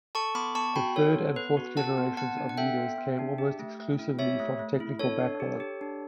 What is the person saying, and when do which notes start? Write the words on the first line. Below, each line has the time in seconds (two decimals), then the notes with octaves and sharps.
The third and fourth generations of leaders came almost exclusively from technical backgrounds.
0.15 A4 A5 C#6
0.35 B3 B5 D6
0.55 B3 A5 C#6
0.76 F#4 G5 B5
0.96 A4 C#5
1.16 B3
1.36 B3 B4
1.57 F#4
1.77 A4 F#5 A5
1.98 B3
2.17 B3 F#5 A5
2.38 D4
2.49 F#5
2.58 A4 E5 G5
2.78 B3
2.98 B3
3.19 D4
3.38 G4
3.59 A3
3.79 A3
3.99 E4
4.19 G4 C#5 E5
4.39 A3
4.59 A3
4.80 E4
4.99 D4 A4 C#5
5.20 D4
5.40 G4
5.60 G4
5.81 D4